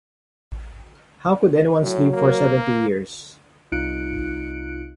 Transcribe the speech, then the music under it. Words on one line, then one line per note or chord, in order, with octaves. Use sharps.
How could anyone sleep for seventy years?
A2 F#3
A#3 A#4
C2 D#4 F4 F#6 C#7 D7